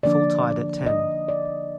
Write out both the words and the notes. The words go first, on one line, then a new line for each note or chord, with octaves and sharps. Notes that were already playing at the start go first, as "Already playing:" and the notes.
Full tide at ten.
D3 F3 A#3 D4 D5
D#5
D5